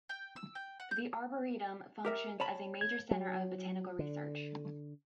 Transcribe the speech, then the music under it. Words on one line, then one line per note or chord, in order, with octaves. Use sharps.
The arboretum functions as a major center of botanical research.
G5
E6
G5
F#5
G6
G4 A#4 E5
C#5 A5 B5
G#6
F#3
D3